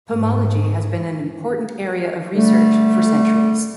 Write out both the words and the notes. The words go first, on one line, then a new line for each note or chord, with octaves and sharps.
Pomology has been an important area of research for centuries.
G#2
D3 G3 A3